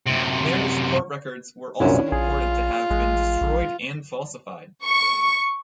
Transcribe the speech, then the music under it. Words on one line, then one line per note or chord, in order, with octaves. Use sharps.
Mayor's court records were also reported to have been destroyed and falsified.
F#2 C3
C2 F#2 A#2 C#4 D4 E4
A#1 F4 G#4
A1 G#3
A#1
C#6